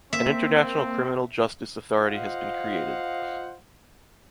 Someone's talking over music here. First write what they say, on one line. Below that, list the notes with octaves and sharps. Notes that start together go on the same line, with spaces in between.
An international criminal justice authority has been created.
A#3 C4 E5
F4 C5 D#5 F5 F#5